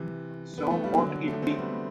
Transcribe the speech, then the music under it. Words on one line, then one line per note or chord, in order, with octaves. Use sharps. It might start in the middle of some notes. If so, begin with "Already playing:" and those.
So mote it be.
Already playing: C3 E3
B3
A3
G3
D3 F#3
F#3 A3
A3 C4
G3 B3